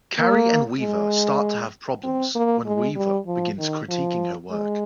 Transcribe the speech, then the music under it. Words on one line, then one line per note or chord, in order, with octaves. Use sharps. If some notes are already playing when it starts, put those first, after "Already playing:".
Carrie and Weaver start to have problems when Weaver begins critiquing her work.
A#3
G#3
C4
A#3
G#3
G3
F3
D#3
F3
G#3